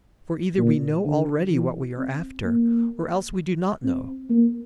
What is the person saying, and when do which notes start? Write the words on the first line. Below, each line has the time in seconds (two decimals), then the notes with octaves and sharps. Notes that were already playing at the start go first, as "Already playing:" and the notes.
For either we know already what we are after, or else we do not know.
0.58 A#2
1.05 D3
1.51 E3
1.97 C4
2.44 A#3
3.84 C4
4.30 A#3